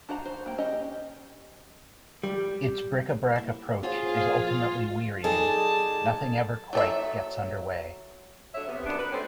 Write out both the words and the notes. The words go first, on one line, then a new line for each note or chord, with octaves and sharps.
Its bric-a-brac approach is ultimately wearying: nothing ever quite gets under way.
D4 F#4 C5 F#5 A#5
C5
A#3 G5
C#4 G4 D#5
G3
A#3 E4
C#4 F4 F#4 G#4 C5
A#2 F3 F5
F#3 G3 D#4 G#4 A4 A5
F#3 A4 E5
D3 F#3 C#5 E5
C3 B3
F#2 B3 D4
B4
A3 C4 C#4 G4 C5